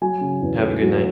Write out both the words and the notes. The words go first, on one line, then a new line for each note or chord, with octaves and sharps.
Have a good night.
F#3 G#5
C#3
E2
A3
F#3